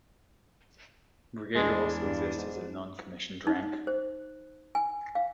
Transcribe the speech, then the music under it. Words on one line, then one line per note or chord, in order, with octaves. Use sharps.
Brigadier also exists as a non-commissioned rank.
E2 G#3 D4
G2
G#2
D#4
C5
G#5
F5